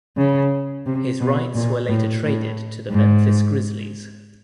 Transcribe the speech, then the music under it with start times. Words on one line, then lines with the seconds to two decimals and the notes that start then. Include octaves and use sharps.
His rights were later traded to the Memphis Grizzlies.
0.17 C#3
0.86 C3
1.21 B2
1.55 A#2
1.89 A2
2.23 A2
2.91 G#2